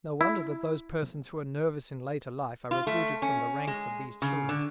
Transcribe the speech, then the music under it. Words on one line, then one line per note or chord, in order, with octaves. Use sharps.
No wonder that those persons who are nervous in later life are recruited from the ranks of these children.
E4
F4
A3
C#4
G#3
C#3
D3